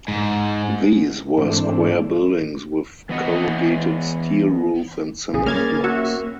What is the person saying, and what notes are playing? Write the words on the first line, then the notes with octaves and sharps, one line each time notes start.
These were square buildings with corrugated steel roof and cement blocks.
G#2
G#2 E3 A3 C4 D4
E3 B3 D#5 F#5
A#1 C#3 G#4
A#3 C#4 F6 G#6 A6
F#4 E5